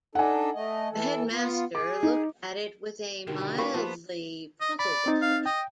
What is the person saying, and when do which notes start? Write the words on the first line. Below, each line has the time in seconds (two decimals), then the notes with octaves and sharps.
The headmaster looked at it with a mildly puzzled expression.
0.15 D4 D#4 A4 F#5 G#5
0.55 A3 D#5
0.92 E3 A4
1.31 B3 F4
1.75 G#4 D6
2.03 D#4
3.27 B1 D3 D#3 D#4 F#4 G4
3.40 G3
3.58 A#3 B3 F4 G4 B4 B6
3.74 F3 A5
4.61 D#5
4.79 D5 B5
5.06 C4 D#4 A6
5.22 F5
5.46 D#5 G5